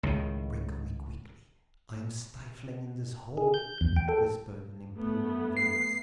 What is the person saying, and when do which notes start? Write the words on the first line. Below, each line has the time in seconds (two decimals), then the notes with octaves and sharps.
"Sprinkle me quickly; I am stifling in this hole," whispered an imploring voice.
0.03 C#2 A2 D#3
3.37 G#4
3.54 G6
3.81 E2
3.96 G5
4.09 A4
4.94 A3 B3
5.57 C7